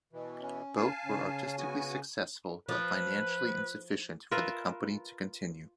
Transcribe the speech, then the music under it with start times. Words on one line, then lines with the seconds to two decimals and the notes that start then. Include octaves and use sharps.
Both were artistically successful but financially insufficient for the company to continue.
0.13 B2 E3
0.40 C#4
0.77 F5 G#5 A5
1.05 C#3 C#4
1.58 B3 F#4 G#5
2.69 F3 B4
4.31 F4 A#4 B4 E5